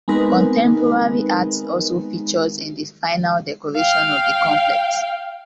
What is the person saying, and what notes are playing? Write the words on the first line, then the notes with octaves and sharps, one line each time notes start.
Contemporary art also features in the final decoration of the complex.
G#3 B3 C4 D#4 A#4 B4
F5 G5